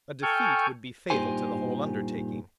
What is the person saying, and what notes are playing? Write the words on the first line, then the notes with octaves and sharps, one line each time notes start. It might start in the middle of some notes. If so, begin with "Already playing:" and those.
A defeat would be fatal to the whole undertaking.
A4 G5 G#5 C#6 F6 G6
G2 A#2 D#4 G4 C5 G#5